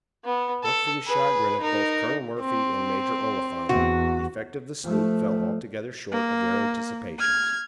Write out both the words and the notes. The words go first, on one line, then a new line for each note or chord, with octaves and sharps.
Much to the chagrin of both Colonel Murphy and Major Oliphant, the effect of the salute fell altogether short of their anticipations.
B3
A4
G#4 B4
D#4 A#4
C4
E2 F#4
F3 A3
A#3
F6 G#6